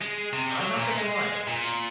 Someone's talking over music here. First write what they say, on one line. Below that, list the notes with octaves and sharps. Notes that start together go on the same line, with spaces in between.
I'm not gonna lie,
G#3
C3
F#3
A#2
G#3
A#2